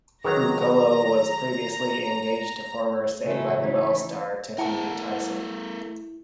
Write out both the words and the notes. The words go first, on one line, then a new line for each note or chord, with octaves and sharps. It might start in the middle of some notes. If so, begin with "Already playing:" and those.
Ruccolo was previously engaged to former "Saved by the Bell" star Tiffani Thiessen.
D#3 F#3 G#4 B4 A#5 A#6
A#2 C#3 E3 F#3 G#3 A3
E3 C#4 D#4
A3 E4 A#4 F#5 A5